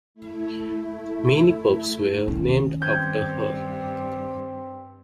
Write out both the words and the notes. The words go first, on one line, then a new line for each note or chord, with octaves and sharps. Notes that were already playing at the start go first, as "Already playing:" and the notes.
Many pubs were named after her.
A3 E4
D#3 C#4
G2 C4 G6 G#6